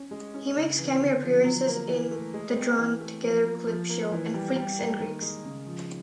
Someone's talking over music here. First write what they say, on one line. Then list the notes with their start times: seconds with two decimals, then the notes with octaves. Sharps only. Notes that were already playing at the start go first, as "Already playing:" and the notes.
He makes cameo appearances in "The Drawn Together Clip Show" and "Freaks and Greeks".
Already playing: C#4
0.11 G#3
0.34 C#4
0.57 C#3
0.79 E3
1.01 D3
1.23 F3
1.44 F#3
1.67 A#3
1.89 E3
2.11 A3
2.33 G#3
2.56 C4
2.78 E3
3.01 A3
3.23 F3
3.44 A#3
3.67 F3
3.89 A#3
4.11 E3
4.34 G3
4.56 G3
4.78 A#3
5.00 D#3
5.22 G#3
5.44 C#3
5.66 F3